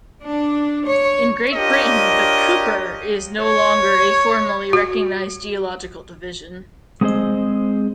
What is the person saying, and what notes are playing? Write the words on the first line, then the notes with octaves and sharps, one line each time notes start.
In Great Britain the 'Keuper' is no longer a formally recognised geological division.
D4
C#5
D4 F4 G4 A#4 C#5 D#5
C#5
F#4
G#3 B3 C4 G#4 C5 D#5